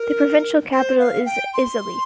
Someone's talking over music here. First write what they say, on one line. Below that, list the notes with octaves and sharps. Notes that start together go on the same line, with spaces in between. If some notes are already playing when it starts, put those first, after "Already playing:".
The provincial capital is Isale.
Already playing: A#4
C5
F5
G5
C6